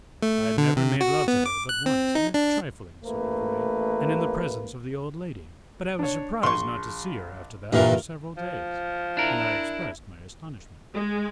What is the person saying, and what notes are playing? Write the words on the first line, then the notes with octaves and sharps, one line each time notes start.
I had never made love to her but once in a trifling sort of way, and in the presence of the old lady, but I was surprised not to see her after that for several days, and I expressed my astonishment.
A3
D3
C3
F#4
B3
D6
F#6
C4
D#4
D4
A1 A3 A#3 B4
D4 C#5
A#1 C6 C#6
G2 A#2 E3 A#4 F5
F3
D4 E4 A#4
G#3